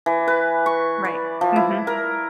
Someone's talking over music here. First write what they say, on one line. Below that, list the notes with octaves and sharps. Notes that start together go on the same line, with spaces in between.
Right, mhm.
E3
B4
C#6
D5
F3
E4
A#4